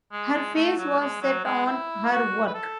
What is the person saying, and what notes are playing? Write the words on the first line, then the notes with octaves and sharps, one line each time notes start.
Her face was set on her work.
G#3
G#3
A3
F#3
G#3
F#3
G#3
E4
F#4
B4
A4